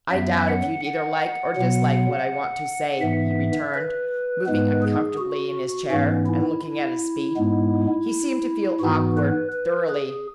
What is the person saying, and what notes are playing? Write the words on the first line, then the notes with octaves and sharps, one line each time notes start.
"I doubt if you'd either like or dislike what I want to say," he returned, moving uncomfortably in his chair and looking at his feet--he seemed to feel awkward, thoroughly.
F#2 F#3 B3 E5
F#5
F#5
B2 F#3 B3
G#2 E3 B3 E5
B4
G#2 G#3 B3 B4
G#4
F#4
G#2 E3 B3 C#4
E4
E4
G#2 G#3 B3
G#2 E3 B3 F#4
B4
B4
G#4